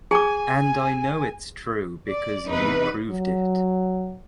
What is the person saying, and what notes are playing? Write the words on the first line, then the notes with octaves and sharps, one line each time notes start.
And I know it’s true because you proved it.
G#4 G#5 D6
D5
E2 C3 D#4 B4
F#3